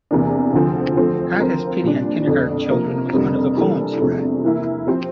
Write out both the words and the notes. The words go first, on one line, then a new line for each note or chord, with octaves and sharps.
"God has pity on kindergarten children" was one of the poems he read.
E2 C3 E3 A#3 D4
D2 D3 F3 C4
D3 F3 A3 C4
F3 C4 F4 A#4
A#2 G3 D4
F2 D3 A3 D4
C3 F3 A#3
F2 C3 G3 A#3 D4
E3 G3 A#3 D4 A4
E2 C3 F3 A3 D4
E3 A#3 E4
F3 C4 G4 C5